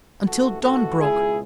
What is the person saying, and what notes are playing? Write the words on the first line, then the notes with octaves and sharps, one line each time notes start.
Until dawn broke.
A1 G#2 E3 A3 F#4 A4
F#4 A4
C#2 B2 G#3 E4 G#4